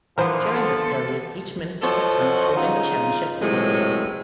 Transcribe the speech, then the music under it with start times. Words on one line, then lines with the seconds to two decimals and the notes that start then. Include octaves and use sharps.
During this period, each minister took turns holding the chairmanship for one year.
0.18 D3 E3 F3 B3 A#4 C5
0.52 A4
1.82 F3 F#4 A4 C#5 D#5
2.56 C#3 D#4 F4
3.41 A2 C3 E3 F#3 G#3